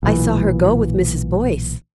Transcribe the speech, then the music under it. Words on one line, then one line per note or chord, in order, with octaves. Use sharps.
"I saw her go with Mrs. Boyce."
B1 A#2 E3